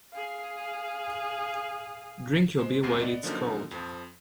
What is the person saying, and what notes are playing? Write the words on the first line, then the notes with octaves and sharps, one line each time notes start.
Drink your beer while it's cold.
G#4 F5
G#3 C5
G#1 D2 G2 C3 C7
B3 D5 D#5 E7
D3 F3 F#3 A#3 C#4 D#4
F2 F3